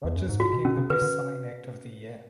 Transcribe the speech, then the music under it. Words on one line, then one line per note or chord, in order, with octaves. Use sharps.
Rodgers became the best selling act of the year.
E2
F#2
G#2
A2 F#4
B2
B2 C#4
C#3
D3 B4
D3